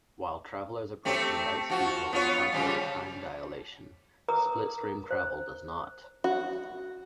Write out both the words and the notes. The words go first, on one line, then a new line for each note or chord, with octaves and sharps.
While travellers approaching light speed will encounter time dilation, slipstream travel does not.
A3 C4 G4
F3 F#4
B3 F4 C#5
C#3 F3 G3
A#4 B4 A#5 D6 D#6
C5
F#4